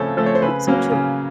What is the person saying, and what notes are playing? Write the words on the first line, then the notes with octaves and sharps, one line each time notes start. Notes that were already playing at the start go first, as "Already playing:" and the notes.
I think so too.
Already playing: C#3 F3 A3 C4 A4 C#5
F3 A3 C4 A4
C#5
C5
C#3 B4
F#3 A#3 C#4
C#3